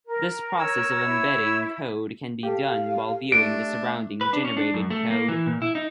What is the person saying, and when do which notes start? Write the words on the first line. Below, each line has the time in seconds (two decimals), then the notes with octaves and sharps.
This process of embedding code can be done while viewing the surrounding generated code.
0.07 A#4
0.59 C#5 E6
1.03 E4
2.43 G4 A4 F5
3.32 A3 D4 D7
4.21 B4
4.33 D4
4.45 C#4
4.57 D4
4.74 F#2
4.90 A3
5.10 A#3
5.28 E3
5.46 A#2
5.62 E4
5.75 D#4